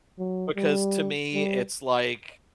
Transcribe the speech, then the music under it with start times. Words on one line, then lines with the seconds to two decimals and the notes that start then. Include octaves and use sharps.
because to me it's like
0.19 F#3
0.57 G3
1.34 G3